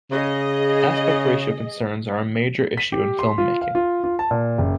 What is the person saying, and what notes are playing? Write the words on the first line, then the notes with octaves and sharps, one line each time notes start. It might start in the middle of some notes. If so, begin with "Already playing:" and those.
Aspect ratio concerns are a major issue in film making.
C#3 G#4 D#5
B6
G4
C6
F4
F5
F4
F4
A5
A#2
F#1